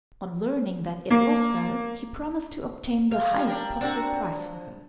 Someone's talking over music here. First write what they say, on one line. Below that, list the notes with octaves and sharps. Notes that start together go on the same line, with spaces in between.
On learning that it was so, he promised to obtain the highest possible price for her.
A#3
F5
G3 C#4 F4
G3 D4 A#4
C4 D4 F#4 A#4
F3